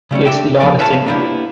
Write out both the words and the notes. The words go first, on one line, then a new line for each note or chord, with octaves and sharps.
it's the oddest thing.
C#3 G3 A3 C#4
D4 G4 E5 G5
F3 B3 A#4 D5
B4 C#5 E5 F5 G5 A5
A#3 B3 D4 E4 G4